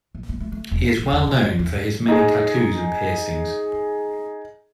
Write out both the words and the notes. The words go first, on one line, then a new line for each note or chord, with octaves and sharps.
He is well known for his many tattoos and piercings.
A#1
A#3
A3
A3
E1
F4
B1
E2
B2
F#2
E2
D#4 G#4